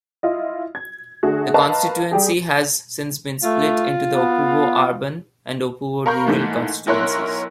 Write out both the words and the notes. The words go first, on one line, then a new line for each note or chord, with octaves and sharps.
The constituency has since been split into the Opuwo Urban and Opuwo Rural constituencies.
E4 F4 D#5
G#6
D3 A3 F#4 G#4
A#4 B4 D#5 F5 A5 C#6
G3 G4 G#4
A3 F4
B3
A#4 F5 A#5 B5 C#6 G6
G#2 E3 A3 A#3
B1 E4 A#4 C#5 C6 F#6